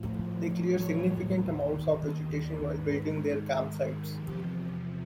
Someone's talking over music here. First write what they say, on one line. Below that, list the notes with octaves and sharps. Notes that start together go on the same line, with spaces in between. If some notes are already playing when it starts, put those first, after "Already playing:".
They clear significant amounts of vegetation while building their campsites.
Already playing: A2 F3
C#5
D#2 D#3
D#5
D5
G#2 D#3 B4
A#4
A4
G#4
E2 C3 F3 G4